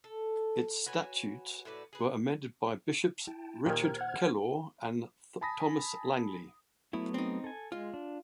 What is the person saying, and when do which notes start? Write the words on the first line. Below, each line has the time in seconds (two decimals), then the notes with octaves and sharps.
Its statutes were amended by Bishops Richard Kellaw and Thomas Langley.
0.04 A4
0.86 F#4 B4 C#5 G#5
1.65 A2 F#4 B4 D5
1.93 G#4 B4
3.27 E4 G5 A5
3.66 A#2 D#3 G4 A#4 C5 F6 G#6
4.01 F#5
5.41 G#5 A5 B5 D#6 A#6
6.93 F#3 A3 B3 E4
7.14 C4 D#4
7.44 A4 G#5
7.72 G#3 F4
7.94 D4